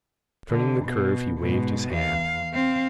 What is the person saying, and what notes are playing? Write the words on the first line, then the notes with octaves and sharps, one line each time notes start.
Turning the curve he waved his hand.
D3
B2
G#2 B2
E2 F5
C4 F5